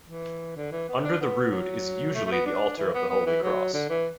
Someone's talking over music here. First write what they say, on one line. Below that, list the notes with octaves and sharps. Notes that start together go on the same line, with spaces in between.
Under the rood is usually the altar of the Holy Cross.
E3
D3
E3
B3
D4
B3
F#3
A3
A3
B3
D4
E3
B3
B3
E3
F#3
D3
E3